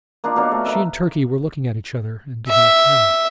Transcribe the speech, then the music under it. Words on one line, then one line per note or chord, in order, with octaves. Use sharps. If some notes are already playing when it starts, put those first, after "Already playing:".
She and Turkey were looking at each other, and did not hear me.
A#3 D4 D#4 F4
B2 D4 A#4 C#5
A3
D#4 E5 A#5 B5
E5